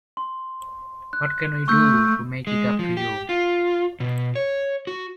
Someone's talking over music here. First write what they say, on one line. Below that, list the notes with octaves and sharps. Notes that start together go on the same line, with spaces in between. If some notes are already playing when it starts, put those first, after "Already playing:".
What can we do to make it up to you?
C6
F#6
A3 C#6 E6 G6
G#3
F3
G4
F4
B2
C#5
F#4